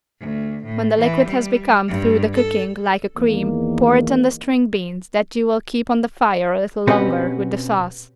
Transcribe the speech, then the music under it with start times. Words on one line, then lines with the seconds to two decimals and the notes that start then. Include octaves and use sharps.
When the liquid has become, through the cooking, like a cream, pour it on the string beans that you will keep on the fire a little longer, with the sauce.
0.20 D2
0.65 A2
0.99 E3
1.28 G3
1.88 G2
2.34 A4
3.17 E2 D#3 A#3
6.87 B2 C4 C#4 F#4 G4 B4